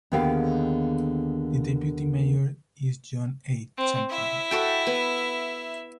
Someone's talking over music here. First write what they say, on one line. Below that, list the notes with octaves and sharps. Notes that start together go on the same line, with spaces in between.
The deputy mayor is John H. Champagne.
D#2 D3 B3 G#4 F5 G5
C4
E4 E5
F#4 A4 G5
B3